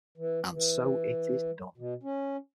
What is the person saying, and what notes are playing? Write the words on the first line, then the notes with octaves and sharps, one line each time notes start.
And so it is done.
E3
E3
B2
C#4